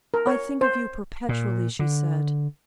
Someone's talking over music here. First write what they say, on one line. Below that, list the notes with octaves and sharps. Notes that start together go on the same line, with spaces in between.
"I think of you perpetually," she said.
A#4
C#5
C5
A#2
D3